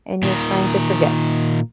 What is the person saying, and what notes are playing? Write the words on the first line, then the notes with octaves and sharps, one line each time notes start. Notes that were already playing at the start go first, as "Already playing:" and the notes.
and you're trying to forget,
A#2 D#3